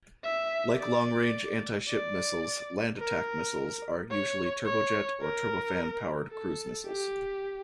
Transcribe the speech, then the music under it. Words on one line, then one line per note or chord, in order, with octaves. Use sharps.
Like long-range anti-ship missiles, land-attack missiles are usually turbojet or turbofan powered cruise missiles.
E5
D5
D5
A#4
C#5
C#5
A#4
A4
G4